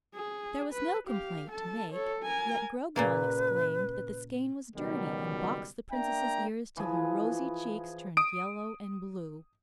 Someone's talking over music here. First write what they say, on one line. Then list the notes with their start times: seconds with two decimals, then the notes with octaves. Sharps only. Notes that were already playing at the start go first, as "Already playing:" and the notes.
There was no complaint to make, yet Grognon exclaimed that the skein was dirty, and boxed the princess's ears till her rosy cheeks turned yellow and blue.
0.15 G#4
0.73 B4
1.08 G4 F5
1.51 A4 A5
1.92 A4 C#5
2.23 A#4 G#5
2.96 A#2 C#3 A#3 B4
4.75 C#2 B2 D#3 F#3 G3
5.90 A#3 D4 E5 G5 A#5
6.77 E3 F3 G#4
8.17 D#6 D7